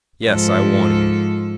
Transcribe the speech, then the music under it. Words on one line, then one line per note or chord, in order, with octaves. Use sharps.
"Yes, I want him!"
G#2 F3 A4